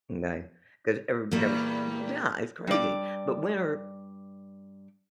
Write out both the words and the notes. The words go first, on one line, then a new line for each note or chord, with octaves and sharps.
m’kay? 'Cause every that would uh, yeah, it's crazy, but winter
E2 A#2 G3 A#3
G2 D5